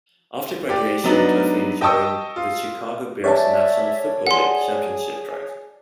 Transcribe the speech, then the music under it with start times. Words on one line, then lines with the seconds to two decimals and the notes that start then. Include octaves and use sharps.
After graduation Tuffy joined the Chicago Bears' National Football league championship drive.
0.69 G4 D5
1.04 F#3 B3 D4 D#4
1.81 D#5 G5 A5 C#6 D#6 E6
2.36 F4
3.24 C#5 D5 E5 G#5 A5
4.27 G#4 F#5 C6